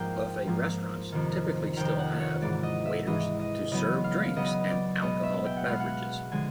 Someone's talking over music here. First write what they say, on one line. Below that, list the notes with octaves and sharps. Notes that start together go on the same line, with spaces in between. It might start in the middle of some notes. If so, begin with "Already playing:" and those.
Buffet restaurants typically still have waiters to serve drinks and alcoholic beverages.
Already playing: G#2 F3 A#3 G5
G#2 F3 A#3
F2 C3 D#3
F2 C3 D#3 G5
F#5
C#5
G#2 E3 G#3 D5
D#5
E5
G#2 E3 G#3 D#5
D#5
C#3 F#3 B3 D#5
F5
C#3 F#3 B3 D#5
D5
B2 G#3 B3 D#5
E5
G5
F#5
B2 G#3 B3 F5
F#5
D3 F3 G#3 G#5